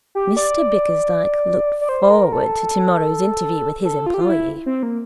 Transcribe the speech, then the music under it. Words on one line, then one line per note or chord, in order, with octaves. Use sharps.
Mr Bickersdyke looked forward to tomorrow's interview with his employee.
G4
D5
D5
C5
A#4
A4
A4
F4
G4
F4
E4
C4
A#3